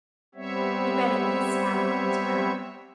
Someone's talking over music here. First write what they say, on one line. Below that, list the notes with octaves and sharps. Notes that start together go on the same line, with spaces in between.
He read it with a scowl on his brow.
G3 B3 C4 C#5 E5